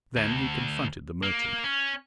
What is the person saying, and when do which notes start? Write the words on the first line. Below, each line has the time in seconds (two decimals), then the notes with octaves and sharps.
Then he confronted the merchant.
0.17 D2
1.23 A#3
1.64 C#4